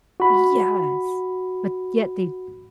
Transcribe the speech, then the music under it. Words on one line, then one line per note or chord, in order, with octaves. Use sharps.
Yes, but yet they
F#4 B5